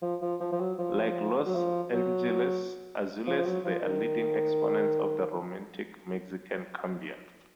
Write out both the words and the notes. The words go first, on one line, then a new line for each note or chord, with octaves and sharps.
Like Los Angeles Azules, they are leading exponents of the romantic Mexican cumbia.
F3
F3
F3
F3
F#3
F3
F#3
F3
F#3
F3
F3
F#3
F3
D#3